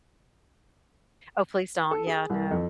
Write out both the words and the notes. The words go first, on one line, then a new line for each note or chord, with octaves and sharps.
Oh, please don't, yeah, no.
A4
G#4
C2
F2